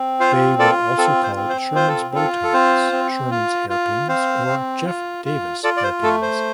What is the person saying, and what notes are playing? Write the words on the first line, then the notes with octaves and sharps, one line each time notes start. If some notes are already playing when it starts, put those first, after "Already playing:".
They were also called Sherman's bow ties, Sherman's hairpins or Jeff Davis hairpins.
Already playing: C4
F4 C5 F5
F4 A4 D5
C4 A4
C5
C4
C5
F4 C5
A4
F4 A4
A4
C4 C5
C4
F4
F4
C4 C5 F5
C4
F4
F4
F4 A4 D5
D5
C5
A3 A4
C5